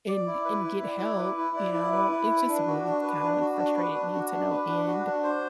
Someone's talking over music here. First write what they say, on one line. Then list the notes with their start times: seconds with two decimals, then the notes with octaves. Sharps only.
and and get help, you know, it just really kinda frustrated me to no end,
0.08 D5
0.27 E4
0.45 B4
0.64 E4
0.83 D5
1.00 E4
1.19 B4
1.38 E4
1.56 D5
1.74 E4
1.92 B4
2.11 E4
2.30 B4
2.49 D4
2.67 F#4
2.84 D4
3.03 B4
3.21 D4
3.41 F#4
3.58 D4
3.76 B4
3.95 D4
4.14 F#4
4.32 D4
4.51 B4
4.69 D4
4.87 F#4
5.05 D4
5.23 C5